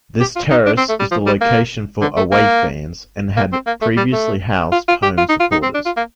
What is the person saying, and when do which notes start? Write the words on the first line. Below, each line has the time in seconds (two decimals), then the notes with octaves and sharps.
This terrace is the location for away fans and had previously housed home supporters.
0.20 G4
0.36 F4
0.51 D#4
0.66 D4
0.78 C4
0.89 A3
1.00 G3
1.11 F3
1.26 G3
1.41 A#3
2.01 D3
2.17 A3
2.32 A#3
3.37 A#3
3.53 C4
3.67 A#3
3.82 A3
3.97 G3
4.13 A3
4.72 F4
4.88 F4
5.03 G4
5.18 F4
5.29 D#4
5.40 F4
5.52 D#4
5.63 C4
5.74 D4
5.86 F4
5.97 A#3